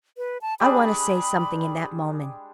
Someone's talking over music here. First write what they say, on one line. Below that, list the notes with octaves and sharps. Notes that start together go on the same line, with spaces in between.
I want to say something in that moment.
B4
A5
G3 G#3 D4 B5